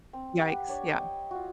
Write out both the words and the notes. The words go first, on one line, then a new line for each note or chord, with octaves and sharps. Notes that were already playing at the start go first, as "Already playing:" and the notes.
Yikes, yeah.
C4
G4 B4 F#5
D4 C#5 D5
D#5 G5
F4 F#4